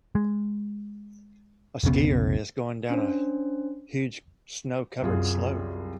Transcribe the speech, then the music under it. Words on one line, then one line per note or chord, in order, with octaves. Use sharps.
A skier is going down a huge snow covered slope.
G#3
F1 B1 C#3 B3
C#4 D4 C5
C2 F#2 F4 G#4